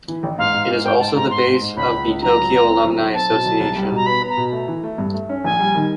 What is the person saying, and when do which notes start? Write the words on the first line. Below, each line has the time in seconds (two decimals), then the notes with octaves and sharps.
It is also the base of the Tokyo Alumni Association.
0.08 E3
0.23 A1
0.38 G#2 F5
0.54 G#2
0.69 G#2
0.84 G#2 G5
1.00 G#2 A5
1.15 G#2 A#5
1.31 G#2 C6
1.46 G#2
1.62 G#2
1.77 C#2 B5
1.91 C#2
2.07 C#2
2.22 F#3 A#5
2.38 C#2
2.53 C#2
2.69 C4
2.84 B1
2.99 B1
3.15 C4 A5
3.30 B2
3.46 B1
3.60 C2
3.76 G3
3.91 B2 A#5
4.06 B3 B5
4.22 B3
4.29 A#5
4.37 B2
4.52 A3
4.68 E3
4.83 A3
4.98 G2
5.14 A3
5.29 C#4
5.44 A#1 G#5
5.59 G3
5.75 D#3